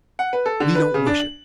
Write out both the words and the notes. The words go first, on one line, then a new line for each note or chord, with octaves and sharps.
We don't wish it.
F#5
B4
A4
D3
B4
C#3
D4
F#7